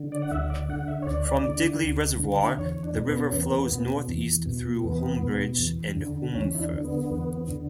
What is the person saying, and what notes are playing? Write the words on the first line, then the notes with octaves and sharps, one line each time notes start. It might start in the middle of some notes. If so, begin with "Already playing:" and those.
From Digley reservoir, the river flows north east through Holmbridge and Holmfirth.
Already playing: D3
D5
F#5
D2 E5
D5
D3 F#5
E5
C#5
D2 D5
D3
D2
D3
E2 C#5
D4
B2
B3
C#4
E2 B3
B2
E2
B2
E2 B3
B2
E2
D3
E2 C#4
E4
D4
D3
B3
E2
D3